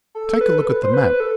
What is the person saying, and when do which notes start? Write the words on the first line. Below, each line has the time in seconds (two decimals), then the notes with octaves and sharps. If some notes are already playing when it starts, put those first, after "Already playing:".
Take a look at the map!
0.15 A4
0.41 B4
0.58 A4
0.68 B4
0.83 C5
0.94 B4
1.20 A4